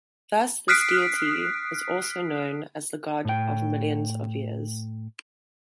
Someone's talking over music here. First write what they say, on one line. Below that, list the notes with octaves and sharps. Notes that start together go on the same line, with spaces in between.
Thus this deity is also known as the "god of millions of years".
D#6 F6 F#6 B6 C7 D7
A2 G5